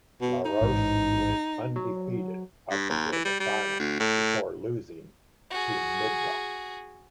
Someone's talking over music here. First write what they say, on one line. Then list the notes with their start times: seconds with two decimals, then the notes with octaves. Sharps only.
Larouche went undefeated up until the final before losing to Middaugh.
0.21 B2
0.45 D#4
0.61 A1 G#2
1.76 F#3
2.70 G2
2.90 D#2
3.12 E3
3.25 G3
3.40 G3
3.80 D2
4.00 A2
5.50 F#4 G#4